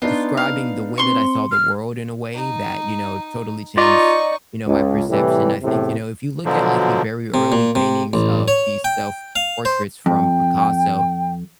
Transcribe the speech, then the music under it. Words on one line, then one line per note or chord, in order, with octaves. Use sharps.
describing the way that I saw the world, in a way, that, you know, totally changed, you know, my perception I think, you know, if you look at, like, the very early paintings of these self-portraits from Picasso,
B3 D4 D#4 F4
F5
C4 C6 C#6
F6
D#4
D#4 F4 D5 D#5 C#6 D6
C#2
A2 C3 E3 G3
E2 A2 C3
B2 D3 F3 F#3
C3
A#2
C3
A1
C#5
G5
F5
C5
F2 G5